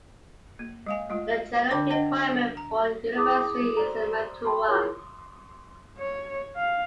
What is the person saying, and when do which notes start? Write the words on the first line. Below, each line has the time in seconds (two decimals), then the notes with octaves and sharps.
The general requirement for university is the Matura.
0.59 A#3
0.86 G#3 F5 G#5
1.10 G#3 A3 F4
1.71 D3 D4 D5 G5 D6
1.90 D4 C5 D#5 F#5 G5
2.57 A#5
3.16 E4 G#4 D6 D#6
3.77 C5 D5 A#5
4.45 G5 A5 B5 C6
4.67 E4 F4 G#4 A#4 C#5
5.98 C#5
6.56 F5